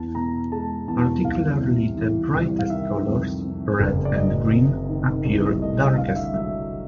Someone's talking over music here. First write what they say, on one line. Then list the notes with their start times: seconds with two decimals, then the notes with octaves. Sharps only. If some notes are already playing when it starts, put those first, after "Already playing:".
Particularly the brightest colors, red and green, appear darkest.
Already playing: E2 A5
0.15 B2 A#5
0.52 G#3 A5
0.88 E2 A5
1.24 C2 F5
1.61 C3
1.97 E3
2.34 C2
2.59 F5
2.70 D#3 E5
3.07 F2
3.43 C3
3.79 F#1
4.05 D5
4.15 F#3 D#5
4.52 C3
4.88 D#3
5.25 C2
5.61 A3 D#5
5.80 D#5
5.98 D3 F5
6.08 F5
6.16 E5
6.34 F#3 E5